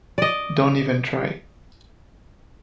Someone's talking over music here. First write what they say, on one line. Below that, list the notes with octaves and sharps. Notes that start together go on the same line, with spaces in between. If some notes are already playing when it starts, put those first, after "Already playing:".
Don’t even try.
D5 D#5